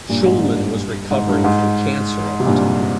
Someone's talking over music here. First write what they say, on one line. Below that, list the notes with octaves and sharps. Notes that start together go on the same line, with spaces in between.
Shulman was recovering from cancer at the time.
G2 A#2
G#2
G2
G#2
G2
G#2
C3
G2 A#2